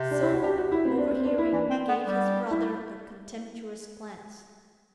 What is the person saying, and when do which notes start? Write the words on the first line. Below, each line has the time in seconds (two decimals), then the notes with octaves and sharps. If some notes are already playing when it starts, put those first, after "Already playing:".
Silvo, overhearing, gave his brother a contemptuous glance.
Already playing: C3
0.11 D4
0.22 E4
0.33 F#4
0.44 G4
0.58 F#4
0.72 E4
0.85 C4
0.98 D4
1.11 C4
1.25 D4
1.38 E4
1.52 E3 D4
1.70 C4
1.88 B3
2.06 G3
2.51 E4